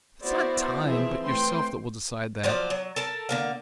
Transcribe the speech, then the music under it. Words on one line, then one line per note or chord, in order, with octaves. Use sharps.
It's not time, but yourself that will decide that.
B3 E4 F#4 C5 D5
E3 F3 C4 E4 G#4 E5
E3 A3 C4 B4 G5 C6
F3 F#3 F4 D5
F#3
A4 A#4 A5
D3 A#3 F5